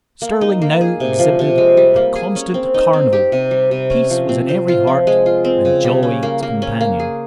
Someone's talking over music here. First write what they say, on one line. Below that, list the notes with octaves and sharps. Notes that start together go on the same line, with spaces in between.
Stirling now exhibited a constant carnival; peace was in every heart, and joy its companion.
A#3
D#4
A#3
G#4
C3
F3
C3
G#3
G3
A#3
G#4
C#4
C4
D#4
C4
G4
C3
G3
C3
C#4
F3
C4
C5
F4
F3
G#3
F4
C4
C#3
G3
C#4
A#3
A#3
C#4
A#3
G#4